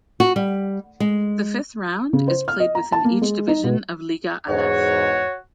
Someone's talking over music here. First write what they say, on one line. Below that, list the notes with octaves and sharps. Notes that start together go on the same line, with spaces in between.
The fifth Round is played within each division of Liga Alef.
F#4
G3
G#3
C#3
C5
F6
D#5
A#5
A5
A#3
G#3
D#4
B2
E2 G#2 F#4 C#5